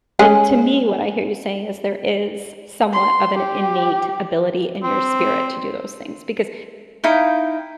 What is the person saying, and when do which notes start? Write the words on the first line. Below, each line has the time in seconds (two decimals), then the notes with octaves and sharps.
and to me, what I hear you saying is, there is somewhat of an innate ability in your spirit to do those things, because,
0.19 G#3 C#4 G#4
2.93 C6
3.37 G4
4.84 C4
7.04 D#4 E4 F5 G5